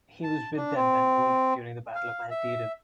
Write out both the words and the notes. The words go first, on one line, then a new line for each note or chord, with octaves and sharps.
He was with them when wounded during the Battle of Antietam.
A5
D4
C4
F5
E5